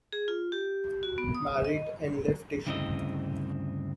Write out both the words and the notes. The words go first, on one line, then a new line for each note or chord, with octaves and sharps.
Married and left issue.
G#4
F4
G4
F#4
B3
D#6
D#5
D2 G2 C#3 C4 E4 D#5